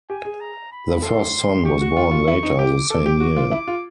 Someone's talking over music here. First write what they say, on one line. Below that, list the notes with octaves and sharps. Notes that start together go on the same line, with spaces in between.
Their first son was born later the same year.
G4 G#5
G#4
A#5
B5
A4 C6
G4 C#6
F#4
F4
F4
E4
D#4
G4 D6
A4 D6
G4
F#4
F4
E4
F4